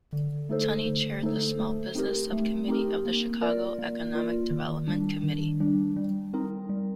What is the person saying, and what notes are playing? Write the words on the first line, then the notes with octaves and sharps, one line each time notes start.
Tunney chaired the small business subcommittee of the Chicago Economic Development Committee.
D3
A3 D#4 A4 C5
D3
A3 D#4 A4 C5
A3
C4 D#4 G4 A#4
A3
C4 D#4 G4 A#4
A#3
F4 A#4 D5
A#3
F4 A#4 D5
D#3
G3 D4
D#3
G3 D4
G3
C4 D#4 A#4
G3